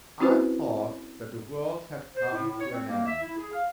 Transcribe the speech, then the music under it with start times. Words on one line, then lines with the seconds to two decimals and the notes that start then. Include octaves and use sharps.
I thought that the world had come to an end.
0.20 C4 C#4 E4 F#4 B4 C5
2.16 C5
2.33 A2
2.48 A2
2.61 C#5
2.73 C4
2.89 A#3
3.06 E5
3.22 E4
3.38 G#4
3.52 F5